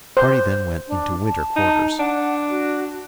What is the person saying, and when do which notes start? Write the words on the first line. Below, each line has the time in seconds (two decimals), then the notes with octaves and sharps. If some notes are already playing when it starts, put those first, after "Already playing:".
The party then went into Winter Quarters.
0.17 C5
0.88 D4
1.27 A5
1.56 D#4
2.00 D4 F#5
2.50 F#4